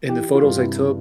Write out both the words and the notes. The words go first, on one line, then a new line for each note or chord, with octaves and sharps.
and the photos I took
E3 G4
E3
F4
G2
C3 E4